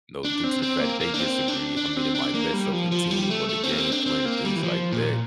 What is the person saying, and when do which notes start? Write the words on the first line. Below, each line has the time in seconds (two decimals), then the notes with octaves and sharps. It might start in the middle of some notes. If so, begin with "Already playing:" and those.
you know, due to the fact that they disagree, I mean, it might mess up the team or the game plan and things like that.
0.25 D4
0.44 C4
0.62 C4
0.81 A#3
1.00 A#3
1.14 D4
1.20 C4
1.48 D4
1.77 D4
1.97 C4
2.15 D4
2.35 A#3
2.53 G3
2.73 F3
2.92 F3
3.11 G3
3.29 A3
3.49 A3
3.63 C4
3.72 A#3
3.78 C4
3.92 D4
4.06 C4
4.25 A#3
4.45 G3
4.56 E3
4.63 F3
4.92 A#2